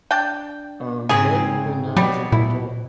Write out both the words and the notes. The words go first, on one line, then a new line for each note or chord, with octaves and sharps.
um, good even now as, like, an adult."
D4 G5
G#2 C#3 C4 G#4
B2 F#3 G3
A#2 E4